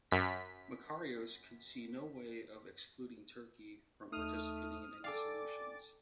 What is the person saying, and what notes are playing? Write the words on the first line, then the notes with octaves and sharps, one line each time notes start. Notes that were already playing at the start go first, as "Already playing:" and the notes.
Makarios could see no way of excluding Turkey from participating in any solutions.
F#2 B6
D#2 A3 D#4 D#6 F6
A4 D5 F5 G5 G#5 D6 A6